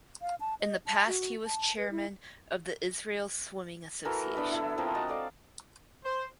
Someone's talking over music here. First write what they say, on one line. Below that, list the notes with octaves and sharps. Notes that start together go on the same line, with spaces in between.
In the past he was chairman of the Israel Swimming Association.
F5
A5
D#5
A5
F#4
A5
B4
E4
E3 F#4 A4 A#4
B3 D4 E4 E5
E4 A4
F3 C4 A#4
F#4 D#5 A5
A4 D5 F5
C5